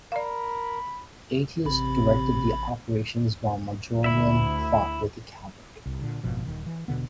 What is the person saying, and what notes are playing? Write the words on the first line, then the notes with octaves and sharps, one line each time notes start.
Aetius directed the operations while Majorian fought with the cavalry.
A#4 D5 F5 B5
A1 C3 B5
D2 E4 E5
C2
A#2 D3
G#1 F#2 B2 F3
D#1 D#3
E3
E1 B2 D3 B3